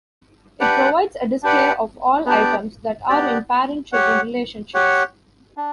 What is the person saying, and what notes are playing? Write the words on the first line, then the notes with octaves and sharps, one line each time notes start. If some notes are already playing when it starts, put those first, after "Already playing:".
It provides a display of all items that are in parent-children relationships.
D4 G4 B4 D5 F#5
D4 G4 B4 D5 F#5
B3 D4 G4 D5
B3 D4 G4 D5
G4 C#5 F#5
G4 C#5 F#5
D4